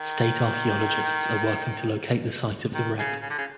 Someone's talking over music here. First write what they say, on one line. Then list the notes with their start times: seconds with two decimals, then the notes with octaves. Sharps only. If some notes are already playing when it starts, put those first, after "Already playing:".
State archaeologists are working to locate the site of the wreck.
Already playing: D#3
2.74 D#3
2.99 C#3
3.22 C#3
3.30 D3
3.38 C#3